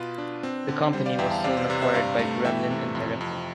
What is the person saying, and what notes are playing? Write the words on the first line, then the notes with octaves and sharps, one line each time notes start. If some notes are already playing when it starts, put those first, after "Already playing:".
The company was soon acquired by Gremlin Interactive.
Already playing: B2 F4 B4
D4
C4
D3
G3 C5
D5 F5
E2 E5 G5
F5 A5
C3 D5 F5
C5
C3 B4 D5
C5 E5
G2 D5 F5
A3
E3 E5 G5
C3
F2
F2